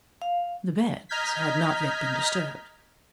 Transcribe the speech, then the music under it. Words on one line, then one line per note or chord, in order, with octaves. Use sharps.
The bed had not yet been disturbed.
F5
D#5 A#5 F6 G6 G#6 B6